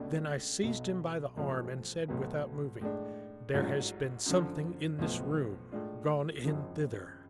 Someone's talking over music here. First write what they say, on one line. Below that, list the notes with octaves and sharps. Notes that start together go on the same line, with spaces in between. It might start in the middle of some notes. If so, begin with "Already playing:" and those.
Then I seized him by the arm, and said without moving: "There has been something in this room--gone in thither."
Already playing: C#2 B2 A3 D4
B1 B2 F#3
B1 A2 F3 G#3 C#4
B1 A2 F#3 B3
A2 G#3 D4
A1 G#2 F#3 C#4 F4
F#2 D3 F3
B1 A2 F3 B3
A2 G#3 D4 F4
G#1 F#2 C#3 F3